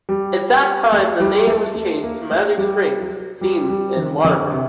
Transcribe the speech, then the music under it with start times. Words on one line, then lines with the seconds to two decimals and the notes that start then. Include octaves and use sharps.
At that time the name was changed to Magic Springs Theme and Water Park.
0.09 G3
0.92 A3
1.20 G3
1.47 A3
1.75 A3
2.03 A#3
2.31 A3
2.58 G3
3.00 F#3
3.41 G3
3.69 G3
3.97 D#3
4.25 D3
4.52 C3